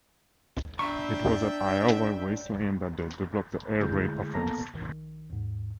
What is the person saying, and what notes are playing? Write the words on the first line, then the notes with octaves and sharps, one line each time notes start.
It was at Iowa Wesleyan that they developed the "Air Raid" offense.
D4 D5 E5 G5 A#5 B5 C#6
D3 G#3 A3 E4 G#4 G6
A#3 B3 A4 A5 A#5 A#6
A#1 D#3
D#2 G#2